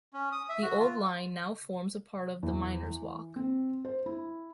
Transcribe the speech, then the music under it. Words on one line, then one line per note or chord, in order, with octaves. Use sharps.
The old line now forms part of the Miners Walk.
C#4
D#6
E5
F#4
F4
E2
E3
C4
C5
E4